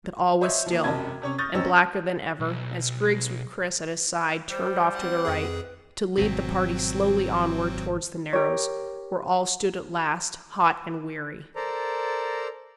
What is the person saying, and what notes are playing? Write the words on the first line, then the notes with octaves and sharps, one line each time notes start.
But all was still, and blacker than ever, as Griggs with Chris at his side turned off to the right, to lead the party slowly onward towards the narrows, where all stood at last, hot and weary.
C5 C#5 D#5 E5
F3 A#3
E1 F#2 C3 D#5 A5 G#6
C3 C#4 C#5
C#6 D#6 F6 G6 A6 A#6
A#1 F#2 C4 C#4 D#4 E6
B1
G3 C5
C4 F#5
F2 G#4 B4
G#1 B2 F#3 C4
G4 A#4 C#5
A4 A#4 C5 D5 A#5